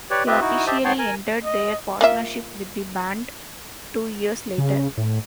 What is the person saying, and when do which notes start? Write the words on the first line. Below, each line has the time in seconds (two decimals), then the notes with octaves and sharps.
They officially ended their partnership with the band two years later.
0.11 G4 B4 C#5 D5
0.27 C4 F4 G4 B4 D#5 E5
0.41 D#4 E4 F#4
0.67 G4 C5 D#5 E5 A5
0.84 G#2 B3 C#5 G5 A5 C6
0.98 A#4 G#5
1.44 D#5
2.01 A#3 F4 E5
4.58 C#3
4.98 A2